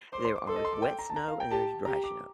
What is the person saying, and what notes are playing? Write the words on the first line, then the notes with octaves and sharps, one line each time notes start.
There are s wet snow, and there's dry snow.
C5 D6
C6
D6
A4 C6
D#5
C6
D6
G5
A#5
A5
A#5
F5
G5
G4 A5
G4 A#5
D6